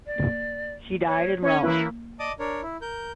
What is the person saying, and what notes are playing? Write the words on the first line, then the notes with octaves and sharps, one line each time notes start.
She died in Rome.
D5
C#5
C#4 C#5
E3 A#3 E4 B4
D5 D#5 A5 D6 D#6
D4 A#4 C#5
E4
A#4 G6